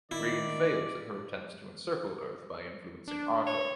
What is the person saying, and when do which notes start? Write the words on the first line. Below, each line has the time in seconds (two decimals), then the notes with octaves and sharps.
Rigan fails in her attempts to encircle Earth by influencing Arthur.
0.11 D#3 E4 D5
3.08 D4
3.47 C#5